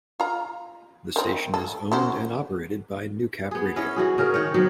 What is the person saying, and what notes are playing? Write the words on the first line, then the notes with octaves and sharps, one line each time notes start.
The station is owned and operated by Newcap Radio.
F4 A#5
D#3 C4
A4
C#4 F#4 C5
B3 G#4
C#4 E4 C#5 D#5
E3 F#4 G#4
C#3 C#4 A#4 F5
D#3 D#4 C#5
D#3 F#3 B3 C4